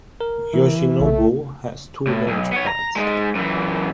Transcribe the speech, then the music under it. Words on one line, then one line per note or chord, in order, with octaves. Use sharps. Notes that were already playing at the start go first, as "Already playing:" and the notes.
Yoshinobu has two launch pads.
A#4
E3
B1 A3 A4
A2
B1
B3 C#5
A#5
G#3 D#4
F#2 E3